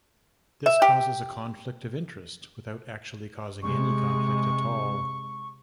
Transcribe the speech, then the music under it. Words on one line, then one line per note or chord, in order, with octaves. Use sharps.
This causes a conflict of interests without actually causing any conflict at all.
E5
G4
C3 G#3 C#6